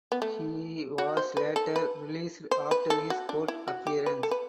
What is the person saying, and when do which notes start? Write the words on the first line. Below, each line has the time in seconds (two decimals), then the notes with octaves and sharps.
He was later released after his court appearance.
0.12 B3
0.22 A3
0.98 F#4
1.17 C5
1.37 B4
1.56 A4
1.76 B4
2.51 C5
2.71 B4
2.90 A4
3.10 F#4
3.29 D4
3.48 E4
3.68 F#4
3.87 G4
4.06 B4
4.23 A4
4.31 B4